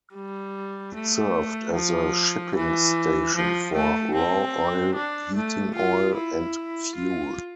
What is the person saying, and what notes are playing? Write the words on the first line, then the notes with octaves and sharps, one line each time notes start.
It served as a shipping station for raw oil, heating oil, and fuel.
G3
A3
F3
E3
F3
A3
C4
D4
A3
F4
E4
F4